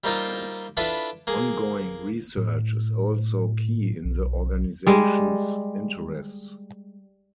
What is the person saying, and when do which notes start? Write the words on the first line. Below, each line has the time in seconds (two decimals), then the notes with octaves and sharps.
Ongoing research is also key in the organization's interests.
0.04 G3 A#3 C4 D#4 F4
0.77 D4 E4 F4 A4 B4
1.27 A#3 G#4
2.37 A2
4.05 B1
4.87 G3 G#3